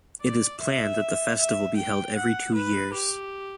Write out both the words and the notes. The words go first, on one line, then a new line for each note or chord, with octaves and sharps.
It is planned that the festival be held every two years.
D5
E5
E5
G5
F#5
B4
G4